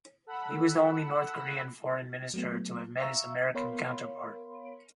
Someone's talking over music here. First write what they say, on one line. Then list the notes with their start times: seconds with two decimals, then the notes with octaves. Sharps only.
He was the only North Korean foreign minister to have met his American counterpart.
0.27 A4 F#5 B5 E6
2.34 F#3 A3 B3
3.00 E5 F5 A#5 C#6 E6
3.55 B3 A#4 C#5 F5 B5 C6